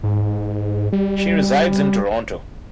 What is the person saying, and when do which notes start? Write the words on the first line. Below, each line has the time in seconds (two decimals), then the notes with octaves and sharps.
She resides in Toronto.
0.03 G#2
0.93 G3